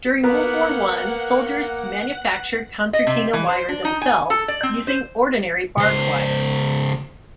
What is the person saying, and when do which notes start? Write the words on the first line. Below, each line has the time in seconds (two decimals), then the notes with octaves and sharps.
During World War One soldiers manufactured concertina wire themselves, using ordinary barbed wire.
0.24 A#3 B3 A#4 F#5
2.93 D#5
3.07 C3
3.33 E3
3.48 C5
3.69 D4
3.85 D#4
4.02 G#5
4.30 A4
4.48 D5
4.63 C4
4.87 C5
5.78 C#2 C5